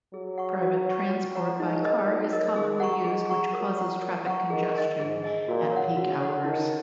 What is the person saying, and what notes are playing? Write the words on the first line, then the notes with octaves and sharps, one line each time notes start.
Private transport by car is commonly used which causes traffic congestion at peak hours.
F#3 G#4
F#5 C#6
F#4
C#5 F#5 A#5 C#6
F#4
C#5 F#5 A#5 C#6
G#3 D#4
A#4 D#5
F#3 D#4
A#4 D#5
D#3 G#4
F#5 A#5 C#6
G#3 G#4
F#5 A#5 C#6
F#3 A#4
F#5 A#5 C#6
A#4
F#5 A#5 C#6
D#3 G#4
D#5 G#5
G#2 G#4
D#5 G#5
A#2 F#4
C#5 F#5
C#3 F#4
C#5 F#5
D#3 D#4